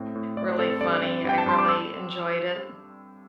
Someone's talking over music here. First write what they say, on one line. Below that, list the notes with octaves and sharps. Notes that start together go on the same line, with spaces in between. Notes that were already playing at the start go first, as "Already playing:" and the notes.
really funny, I really enjoyed it.
Already playing: A2 C4
A2
A2 D5
C5
C4 A4
A4
G2 D5
C4
G2
G5
A5
G2 C6
D6
E6